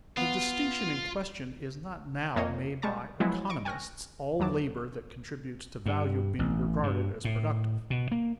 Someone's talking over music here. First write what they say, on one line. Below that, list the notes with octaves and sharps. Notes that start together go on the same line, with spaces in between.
The distinction in question is not now made by economists, all labor that contributes to value being regarded as productive.
B3 F4
F2 A#3 C#5 D#5 G#6
G3 G#3 A5 C#6 A6
F3 F#3 G#3 B3 E4 F#4
D#5 C#6 D7
G5 G#5 C#6 F6 F#6 A#6
E2 F#3 A5 D6
G2
A1
G2
A2
B2
A#3